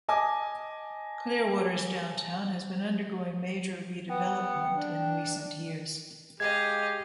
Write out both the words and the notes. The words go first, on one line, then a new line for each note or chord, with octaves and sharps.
Clearwater's downtown has been undergoing major redevelopment in recent years.
D#5 G#5 A5 D6 D#6
B3 G5
D4
G#3 G4 D#5 F5 G#6